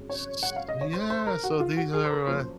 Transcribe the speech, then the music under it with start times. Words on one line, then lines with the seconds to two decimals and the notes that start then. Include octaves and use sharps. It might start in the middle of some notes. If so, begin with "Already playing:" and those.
s s Yeah, so these are my
Already playing: G#1 F#2 C#3 G#3 C#4
0.10 C#5
0.43 F#5
0.56 F5
0.69 D#5
0.81 C#5
0.93 C5
1.10 C5
1.27 A#4
1.43 F#4
1.60 F4
1.77 F#4
1.93 G#4
2.05 C5
2.10 A#4
2.27 F#2 F3 A#3 C#4 C5